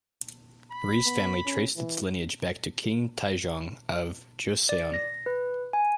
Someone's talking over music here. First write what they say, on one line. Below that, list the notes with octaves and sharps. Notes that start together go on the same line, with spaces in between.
Rhee's family traced its lineage back to King Taejong of Joseon.
B5
B3
C#4
E3
D5
A#6
B4
G#5